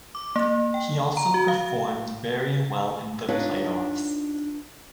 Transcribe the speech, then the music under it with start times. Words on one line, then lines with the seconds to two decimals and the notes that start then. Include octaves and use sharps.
He also performed very well in the playoffs.
0.15 D6
0.36 A#3
0.74 G5
1.17 A#5
1.34 F#4
1.48 F5
3.28 D4 D#4 F4 B4 C#5